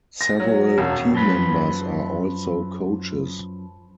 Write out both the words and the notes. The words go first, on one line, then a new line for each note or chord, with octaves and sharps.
Several team members are also coaches.
A#6
F#3
E1
F#2 F3 B4